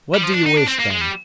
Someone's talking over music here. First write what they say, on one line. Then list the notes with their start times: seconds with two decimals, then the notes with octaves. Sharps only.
"What do you wish, then?"
0.14 G3
0.24 F3
0.34 D4
0.46 D#4
0.57 D4
0.67 C4
0.79 A#3
0.90 G#3
1.01 G3